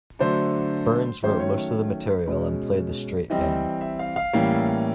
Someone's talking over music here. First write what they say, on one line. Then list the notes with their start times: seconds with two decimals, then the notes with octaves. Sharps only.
Burns wrote most of the material and played the straight man.
0.19 D3 F#3 A3 D4 C5
1.23 D#3 F#3 A3 C#4 C5
1.40 C#5
1.58 C#5
2.26 B2 G#3 C#4
3.30 E3 G3 C4 D#5
3.81 E5
3.99 F5
4.16 F5
4.33 A2 E3 G3 A#3 C#4